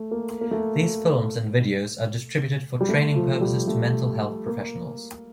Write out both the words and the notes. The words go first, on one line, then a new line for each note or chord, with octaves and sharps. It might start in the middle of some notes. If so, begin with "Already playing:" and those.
These films and videos are distributed for training purposes to mental health professionals.
Already playing: A3
A#3
A#3
A3
G3
A3
F3
G3
A3
A#3